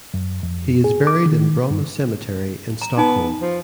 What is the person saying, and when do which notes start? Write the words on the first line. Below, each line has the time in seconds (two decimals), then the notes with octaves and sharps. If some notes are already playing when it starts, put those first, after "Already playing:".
He is buried in Bromma Cemetery in Stockholm.
0.14 F#2
0.43 F2
0.84 G#4
1.07 D6
1.26 D#3
1.70 G2
2.81 A#5
2.97 B3 D#4 G#5
3.41 F3